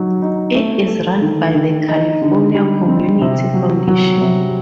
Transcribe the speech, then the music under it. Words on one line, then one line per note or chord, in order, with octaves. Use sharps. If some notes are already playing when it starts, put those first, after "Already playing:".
It is run by the California Community Foundation.
Already playing: F#3 D#4
D#4
A3
A3
D#3
D#3
D#4
D3
G3
C4
C3
F#3
F#3
C3